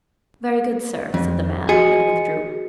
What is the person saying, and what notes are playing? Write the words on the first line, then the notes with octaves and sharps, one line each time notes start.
"Very good, sir," said the man and withdrew.
F2
F#4 G#4 D#5 C#7